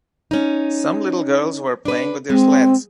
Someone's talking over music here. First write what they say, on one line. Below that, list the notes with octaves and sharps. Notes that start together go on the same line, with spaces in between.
Some little girls were playing with their sleds.
C#4 D#4
D4 B4
G#3 C4